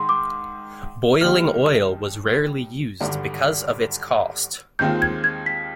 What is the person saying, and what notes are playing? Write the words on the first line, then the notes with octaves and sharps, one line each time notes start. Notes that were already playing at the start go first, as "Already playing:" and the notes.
Boiling oil was rarely used because of its cost.
Already playing: G#2 D#3 C6
D6
D#2 D#3 G3 F6
G#1 G2 D3
D#2 D#3 G#3 C4 F4 G6
G#6
G#6
B6